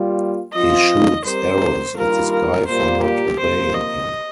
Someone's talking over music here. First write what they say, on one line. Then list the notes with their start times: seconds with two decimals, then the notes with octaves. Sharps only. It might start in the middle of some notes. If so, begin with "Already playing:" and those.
He shoots arrows at the sky for not obeying him.
Already playing: G3 A#3 F4
0.53 F3 C4 F4 D#5
1.24 G3 C4 G4 A#4 C5
1.96 G2 D#3 G3 A#3 F4 A#4
2.31 A#4
2.67 A#2 G3 A#3 C5
3.03 G4
3.39 C3 F3 A#3 C5
3.74 D#5